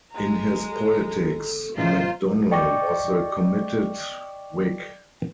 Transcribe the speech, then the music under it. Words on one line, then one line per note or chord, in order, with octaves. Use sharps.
In his politics McDonnell was a committed Whig.
G#3 A#5
A4
A2 C#3 E3 F4 C5 D#5 A#5
D5 D#5 G5 C#6 D6 A#6